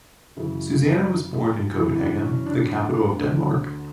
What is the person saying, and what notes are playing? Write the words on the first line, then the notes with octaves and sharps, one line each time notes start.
Susanna was born in Copenhagen, the capital of Denmark.
F#2 C#3 E3
F#2 C#3 E3 E4
D4
C#4
D4
D2 D3